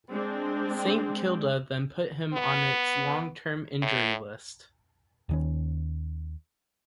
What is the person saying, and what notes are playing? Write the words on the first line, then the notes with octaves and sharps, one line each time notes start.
Saint Kilda then put him on its long-term injury list.
G#3 C4 D4
B3
A2
D#2 D#3 C#4